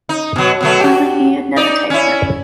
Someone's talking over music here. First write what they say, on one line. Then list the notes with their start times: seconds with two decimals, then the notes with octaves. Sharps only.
Only he had never taken it.
0.09 D#4
0.36 B2 F#3
0.61 B2 F#3 A3
0.80 F#4 G4
1.56 D#4 D5
1.90 C#4 E4